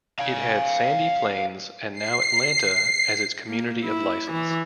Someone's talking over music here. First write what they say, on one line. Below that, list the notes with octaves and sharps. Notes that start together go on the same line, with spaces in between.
It had Sandy Plains and now Atlanta as its community of license.
F5 G#5
C7
A#3
E4
E3